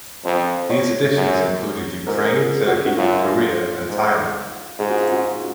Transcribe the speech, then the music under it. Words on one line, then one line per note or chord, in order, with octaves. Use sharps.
These editions included Ukraine, Turkey, Korea and Thailand.
F2 C5
C#5
F#2
G#2 A#4
G#4
F#4
F#4
F#2 F4
G#2
G#2 G#4
F#4
F4
F#4